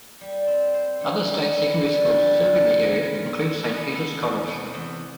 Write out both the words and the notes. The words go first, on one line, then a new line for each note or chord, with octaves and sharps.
Other State secondary schools serving the area include Saint Peter's College.
G3
C4
C5
D3
G3
E4
D3
G3
D3
F2
E3
F4
E3
B3
A4
E2
C3
E2